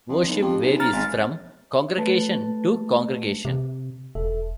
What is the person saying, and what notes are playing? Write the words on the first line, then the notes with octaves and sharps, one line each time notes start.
Worship varies from congregation to congregation.
F2
B1
F2 G4
B1
A#5 F6 A6
G#1
A3 B4 A5
C3
E1 A4 E5